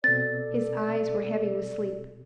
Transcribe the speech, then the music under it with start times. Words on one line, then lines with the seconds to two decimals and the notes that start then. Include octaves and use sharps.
His eyes were heavy with sleep.
0.04 B2 C4 A4 D5 A6